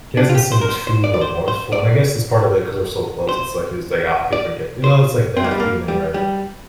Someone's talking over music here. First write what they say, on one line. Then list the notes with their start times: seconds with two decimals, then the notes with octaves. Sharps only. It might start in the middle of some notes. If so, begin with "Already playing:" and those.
he hasn't seemed too remorseful and I guess it's part of it because we're so close, it's like he's like, "Ah, he'll forgive me" You know, it's like that feeling where,
0.17 D4
0.29 F4
0.34 G4
0.52 C5
0.61 A#4
0.69 C5
0.87 C5
1.04 D5
1.14 D5
1.21 C5
1.48 C5
1.73 D5
3.29 C5
4.33 D5
4.84 C5
5.37 C4
5.44 A#3
5.51 G3
5.60 A#3
5.88 G3
6.14 G3